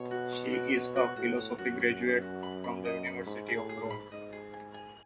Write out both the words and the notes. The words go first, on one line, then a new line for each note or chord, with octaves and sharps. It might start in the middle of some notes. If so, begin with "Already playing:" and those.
She is a philosophy graduate from the University of Rome.
Already playing: B2 C#5
F#4
C#5
F#4
B2 C#5
F#4
A2 F#4
C#5
F#2 F#4
F#4
G#5
F#4
B5
B5
D#5
B5
G#2 B5
G#4
A2
G#4
G#2
B5
G#2 D#5
G#4
G#5
G#5